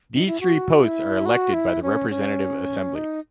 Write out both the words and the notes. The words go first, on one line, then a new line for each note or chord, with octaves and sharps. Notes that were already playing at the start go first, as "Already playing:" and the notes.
These three posts are elected by the Representative Assembly.
D#4
E4
F#4
E4
F#4
E4
C#4
C#4
D#4